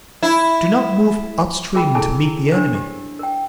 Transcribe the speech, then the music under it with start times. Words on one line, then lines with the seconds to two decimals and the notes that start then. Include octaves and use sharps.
Do not move up-stream to meet the enemy.
0.23 E4
1.74 G#4 A#4 G5 B5
1.95 C#4 E4 G#4 A4 G#5 A5
2.23 E4
2.51 D4 G4 A#4 C5 C#5
2.75 G4
3.19 A#4 G5